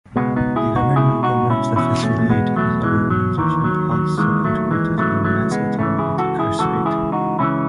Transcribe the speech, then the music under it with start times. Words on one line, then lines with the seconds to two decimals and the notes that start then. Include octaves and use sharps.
The government programs that facilitated suburbanization also contributed to the mass automobility crusade.
0.16 C#2 B2 G#3 B3
0.36 B3 D#4
0.56 E4 G#4
0.76 D#4 F#4
0.96 C#2 B2 E4 G#4
1.23 D#4 F#4
1.50 C#4 E4
1.76 E2 B2 C#4 E4
2.03 A3 C#4
2.19 A3
2.30 G#3 B3
2.56 E2 B2 F#3 A3
2.83 E3 G#3
3.10 F#3
3.37 D#2 D#3 E3
3.64 F#3
3.91 F#3
4.18 D#2 D#3 E3 G#3
4.44 F#3 A3
4.71 E3 G#3
4.98 C#2 C#3 E3 F#3 A3
5.25 F#3 A3
5.51 G#3 B3
5.79 C#2 C#3 E3 A3 C#4
5.98 E4 G#4
6.18 F#4 A4
6.39 E4 G#4
6.59 C#2 C#3 E3 F#4 A4
6.86 E4 G#4
7.12 D#4 F#4
7.39 C#2 C#3 E3 C#4 E4